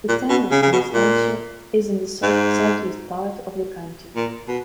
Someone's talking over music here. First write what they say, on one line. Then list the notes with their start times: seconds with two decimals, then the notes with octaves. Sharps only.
The Town of Constantia is in the southeast part of the county.
0.09 A#2
0.29 B2
0.51 C#3
0.63 C#3
0.72 B2
0.94 A#2
2.23 G#2
4.16 A#2
4.48 B2